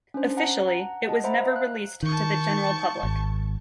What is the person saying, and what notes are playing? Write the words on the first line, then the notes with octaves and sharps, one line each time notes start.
Officially, it was never released to the general public.
C#4 D4 C5
F#5 A5 A#5
F#5 A#5
D#5 F#5 A5
C5 E5 F#5 A#5 B5
F5 F#6
D#3 A5 C#6 G6
G#1